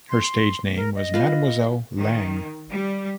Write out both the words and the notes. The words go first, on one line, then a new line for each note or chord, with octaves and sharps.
Her stage name was Mademoiselle Lange.
C6
A#4
D#5
F4 B4 C5
D#3
G3